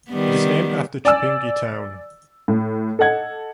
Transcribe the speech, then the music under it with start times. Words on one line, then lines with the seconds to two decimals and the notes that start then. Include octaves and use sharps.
It is named after Chipinge town.
0.10 D#3 G3 B3
1.05 D5 G#5 E6
2.48 A2
2.99 A4 D#5 F#5 G#6